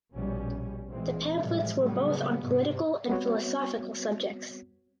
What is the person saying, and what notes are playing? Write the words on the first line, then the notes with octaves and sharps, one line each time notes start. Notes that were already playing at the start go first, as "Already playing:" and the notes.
The pamphlets were both on political and philosophical subjects.
A#1 B2 G3 C#4
A#2 E3 G#3 C4
A2 C3 E3 F3 G3 G#3
C#3 F#3 G3 A#3 B3
G#2 C3
G3 B3 C4 F#4 C#5